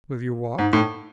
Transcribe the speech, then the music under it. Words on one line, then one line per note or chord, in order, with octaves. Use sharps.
"Will you walk?"
G#2
A2